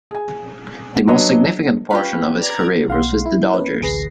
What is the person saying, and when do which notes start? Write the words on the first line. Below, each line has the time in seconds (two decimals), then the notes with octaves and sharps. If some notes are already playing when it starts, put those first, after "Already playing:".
The most significant portion of his career was with the Dodgers.
0.11 G#4 G#5
1.07 F#3 D4 B4 C#5 D#5
1.91 C#4 F4 G4 B4
2.39 D5 A#5 G#6
2.88 B1 F5 F#5 C6
3.26 E4
3.53 A#3 C#4 B4
3.82 A1 D2 G#4 B4 A#6 C7